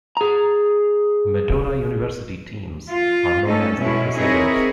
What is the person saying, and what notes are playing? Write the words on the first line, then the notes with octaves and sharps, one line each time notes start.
Madonna University teams are known as the Crusaders.
G#4 A#5
F4
A3 C#4 D#4 A4
B2 G#3 C#4 E4
C4 D#4 E4 G#4 A#4 C#5